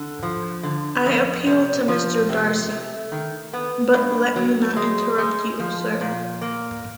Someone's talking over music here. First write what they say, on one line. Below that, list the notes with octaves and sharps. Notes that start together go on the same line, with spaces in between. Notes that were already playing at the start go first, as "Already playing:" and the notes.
I appeal to Mr. Darcy: — but let me not interrupt you, Sir.
Already playing: D3
F3
D3
F2
C3
F3
C3
A3
D#3
B3
G2
F#3
G#3
G#3
F3
A#2
A#3